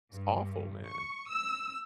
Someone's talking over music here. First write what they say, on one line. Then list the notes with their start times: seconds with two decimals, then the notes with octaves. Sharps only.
It's awful, man.
0.11 G2
0.86 C#6
1.29 E6